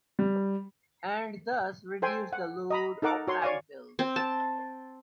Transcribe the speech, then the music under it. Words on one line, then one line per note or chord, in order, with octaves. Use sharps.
And thus reduce the load of landfills.
G3
A4 C5 G5 G#5 C6
F#5
D#5 A#5 B5
D#4 A4 A#4 F#5 D6
F#4 C#5 C6
C#5 D5 F5 G#5
C4
A5